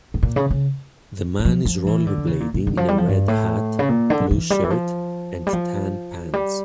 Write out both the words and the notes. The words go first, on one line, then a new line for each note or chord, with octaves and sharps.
The man is rollerblading in a red hat, blue shirt, and tan pants.
A2
A#2
C#3
C#3
G3
F3
F3
E3
D3
C#3
A#2
A#2
D3
F3
G3
F3
G2
A2
C#3
A#2
D3
E3
G3
E3
F3
G3
F3
G3